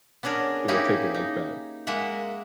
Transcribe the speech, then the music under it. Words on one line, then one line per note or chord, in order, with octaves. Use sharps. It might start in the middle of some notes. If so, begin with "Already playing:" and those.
they would take it like that.
B3 C#4 D4 G#4 A#4
A#3 C#4 D#4 E4 G4 G#4
D#4
G#3 A#3 E5 F#5